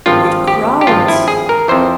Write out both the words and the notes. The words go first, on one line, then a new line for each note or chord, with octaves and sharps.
What crowds!
G#1 G2 F3 F4
G4
G4
G#1 G2 F3 F4
E4
G#4
A#4
F2 E3 C5